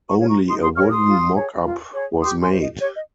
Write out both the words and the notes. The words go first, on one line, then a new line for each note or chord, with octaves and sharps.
Only a wooden mock-up was made.
A#5 C#6
A#4 C#5
A#5 C#6
D#4 C6 D#6
C6 D#6
A#4 C#5 C#6 F6
C6 D#6
F4
G#4 C#5
F4
G#4 C#5
G4 C6 D#6
G#5 C6
C5
D#5
G4 C#5
D#5